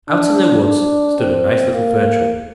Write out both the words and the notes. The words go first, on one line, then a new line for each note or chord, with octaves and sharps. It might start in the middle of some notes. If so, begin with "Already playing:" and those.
Out in the woods stood a nice little Fir Tree.
D4
D4
C4
A#3